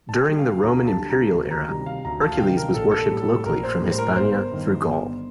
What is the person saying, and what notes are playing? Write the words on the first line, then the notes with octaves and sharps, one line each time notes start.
During the Roman Imperial era, Hercules was worshipped locally from Hispania through Gaul.
A5
G5
D3 G3
F5
D2 A#5
A5
D3 G3
A#5
D2
A#5
C3 D#3 G3 A#5
F5
D2 A#5
A5
F5
C3 D#3 G3 G5
A#4
A#1 A4
A4
A2 G3
A#1 A#4
C5
A2 G3
C5
A#4
G1 C5
G2 D#3
G1